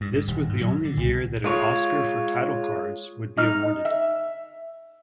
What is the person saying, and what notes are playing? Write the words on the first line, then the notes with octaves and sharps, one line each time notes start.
This was the only year that an Oscar for title cards would be awarded.
G2
G2
D#1
G#2
F#3
D3
C2
G#3 F4 C#5
D#4 F6
E5